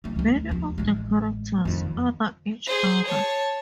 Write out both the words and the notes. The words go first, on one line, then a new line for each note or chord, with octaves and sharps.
Many of the characters "other" each other.
F1 F#3
D2 G#3
D#2 F3
A1 G#3
F2 D#3
G#4 C5
C#5 A5